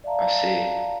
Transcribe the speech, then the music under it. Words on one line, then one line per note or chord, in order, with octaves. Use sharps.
I see.
D5 E5 F5 A5 A#5